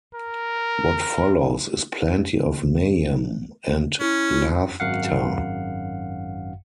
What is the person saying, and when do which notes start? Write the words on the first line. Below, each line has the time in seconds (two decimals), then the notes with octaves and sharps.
What follows is plenty of mayhem and laughter.
0.15 A#4
4.00 C#4 E4
4.80 G#1 F#2 F5 F#5